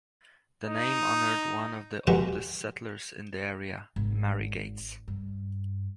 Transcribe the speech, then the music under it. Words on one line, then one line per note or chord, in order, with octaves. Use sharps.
The name honored one of the oldest settlers in the area, Mary Gates.
D#4
G#3 F#4 G4 B4 E5 F#5
G#1
G2